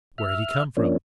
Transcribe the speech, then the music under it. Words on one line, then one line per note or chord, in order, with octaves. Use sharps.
Where had he come from?
E5 F6
F3 A#3 C#4 D4